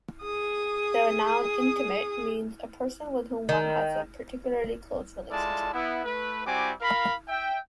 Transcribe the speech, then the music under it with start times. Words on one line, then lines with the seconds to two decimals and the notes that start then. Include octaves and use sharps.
The noun "intimate" means a person with whom one has a particularly close relationship.
0.23 G#4 D#6
3.49 D#3
5.31 G#3 E4 F4 A4 D5 A5
5.73 B3 E4
6.04 A3 B4
6.46 G3 C4 E4 F#4 G#5 D6
6.82 A#4 F5 B5
7.28 E5 G5